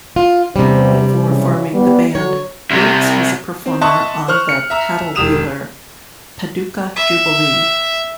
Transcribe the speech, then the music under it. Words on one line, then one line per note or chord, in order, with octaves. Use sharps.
Before forming the band, Wilkes was a performer on the paddle wheeler Paducah Jubilee.
F4
E2 C3 G3 D4 C5
C#3 E3 F#3
G3 B3
D3 F#3 C#5
C2 C3
C4
D#5 E5 A5 C6 C#6 F#6
C5 C#6 F6 F#6
C#7
E5 A#5 E6
E1 G4 D#6 E7 F7
E5